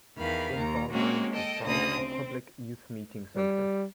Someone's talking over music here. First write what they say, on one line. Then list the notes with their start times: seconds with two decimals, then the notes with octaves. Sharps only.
In Saulheim is found a public youth meeting centre.
0.17 E2 D#3 F5 B5
0.56 D#2 A#5
0.91 G#3 A#3 C4 C#4 F#4
1.33 A4 D#5 G5
1.65 D2 C#3 A3 D#6 A#6
1.93 C4
3.37 G3